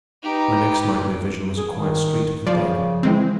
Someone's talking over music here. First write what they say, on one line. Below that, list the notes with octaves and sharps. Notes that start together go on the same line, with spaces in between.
My next nightmare vision was a quiet street of the dead.
D#4 G4 B4
G#4
D#3
C#3 F3 D5
E3 G#3 C4